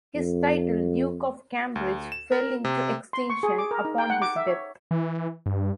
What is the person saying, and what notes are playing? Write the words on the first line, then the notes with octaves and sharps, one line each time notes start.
His title, 'Duke of Cambridge', fell into extinction upon his death.
F2
D2
E7
A#4
C3
C6
C#6
G#4
D6
A#4
D#4
G5
F#5
D6
E5
C#5
E3
G2